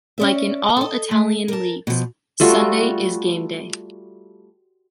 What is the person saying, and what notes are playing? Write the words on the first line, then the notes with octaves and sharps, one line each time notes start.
Like in all Italian leagues, Sunday is game day.
C#4 D5 E5
A4 D#5
A3
A#4 A5
B2 F3
G3 A3 F4 F#4